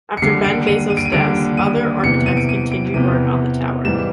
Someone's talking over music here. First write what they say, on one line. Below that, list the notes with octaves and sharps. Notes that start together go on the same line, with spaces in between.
After Ben Baso's death, other architects continued work on the tower.
C#7
D#2 D3 G3 C7
D7
D#7
D#7
D7
D#7
D#2 D3 G3 D7
D#7
E2 C3 E3 C#7
D#7
D7
D#7
D7
E2 C3 E3 D#7
G#2 E3 G3 E7